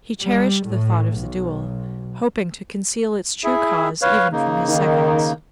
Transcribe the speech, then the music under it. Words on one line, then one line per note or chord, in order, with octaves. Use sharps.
He cherished the thought of the duel, hoping to conceal its true cause even from his seconds.
G3
A2
B1
E4 G#4 E5
B4 C#5 F5
C#3 A#3 D#4
D#3